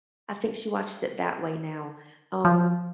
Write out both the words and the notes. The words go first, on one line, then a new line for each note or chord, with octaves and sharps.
I think she watches it that way now, um,
F3